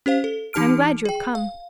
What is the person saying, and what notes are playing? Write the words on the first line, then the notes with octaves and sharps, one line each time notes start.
"I am glad you have come."
C#4 G4 C5 F5
A4
E3 D#4 G4 A5 F6 D7
G#4 G5
F5